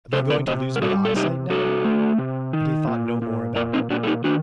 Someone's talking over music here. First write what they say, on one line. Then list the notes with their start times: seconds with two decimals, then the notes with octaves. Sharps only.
"Am I going to lose my eyesight now?" And he thought no more about it.
0.13 C3 A4 C5
0.30 A#4 D5
0.47 C3 C5 D#5
0.76 A#4
0.81 G3 F#4 A4
1.05 A4
1.15 C3 D#4 G4
1.50 C3 F#4 A4
1.85 A3
2.18 C3
2.53 D#3
2.87 A#2
3.22 A#2
3.56 A#2 A#4 D5
3.73 C4 D#4
3.90 A#2 D4 F#4
4.03 A4
4.07 D#4 G4
4.24 D#3 D4 F#4